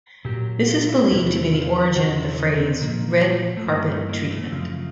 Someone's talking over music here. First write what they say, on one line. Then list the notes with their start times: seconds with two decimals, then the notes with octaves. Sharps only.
This is believed to be the origin of the phrase "red-carpet treatment".
0.25 A#2 F#3 G4
0.62 F#4
0.68 F4
0.89 E4
1.10 E2 C3 E3 E4
1.54 F4
1.96 E2 C#3 F#4
2.17 E4
2.39 D#4
2.59 C4
2.81 A#2 F3 A#3
3.57 A3
3.66 G2 E3 A#3
3.88 A3
4.09 A#3
4.31 A3
4.52 F#2 C#3 F3